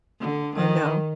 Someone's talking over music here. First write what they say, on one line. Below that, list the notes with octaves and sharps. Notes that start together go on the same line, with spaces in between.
or no?
D3
D#3